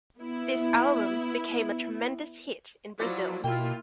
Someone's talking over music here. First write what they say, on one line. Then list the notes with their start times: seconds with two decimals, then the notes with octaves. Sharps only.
This album became a tremendous hit in Brazil.
0.19 B3 E4
3.00 F3 F#3 E4 F4 D5
3.44 B2 A#3 E4 F4 G5